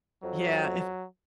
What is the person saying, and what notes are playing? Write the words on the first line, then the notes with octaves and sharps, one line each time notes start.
Yeah, if
F2 F#3